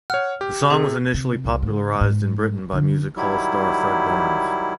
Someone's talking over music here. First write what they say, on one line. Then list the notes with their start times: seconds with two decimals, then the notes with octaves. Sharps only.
The song was initially popularised in Britain by music hall star Fred Barnes.
0.10 C#5 F#5 F6
0.41 G4
0.70 C3 G#4
1.14 C3
1.45 C2
1.62 G#2 C#3
2.01 G#2
2.72 D3 D4
3.17 D#3 F#3 G3 E4